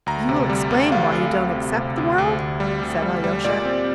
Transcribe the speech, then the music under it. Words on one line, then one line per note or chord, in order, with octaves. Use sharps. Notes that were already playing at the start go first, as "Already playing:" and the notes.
"You will explain why you don't accept the world?" said Alyosha.
D2 A#5
C3
G3
D2
D2 F5
D2
D2
C3
C3
D2
D2
D2
G3
D2
G3
G3
A#2 D5
C4